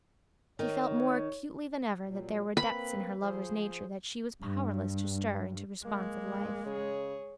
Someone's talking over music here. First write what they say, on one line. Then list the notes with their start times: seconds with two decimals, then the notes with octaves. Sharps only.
She felt more acutely than ever that there were depths in her lover's nature that she was powerless to stir into responsive life.
0.59 D#3 C#5
2.05 A#2 F#3 G3
2.57 A#3 C4 B4 B5
3.20 F3 G#4 C5
4.41 G2
5.85 G#3 A#3
6.66 C#3 G#4 C#5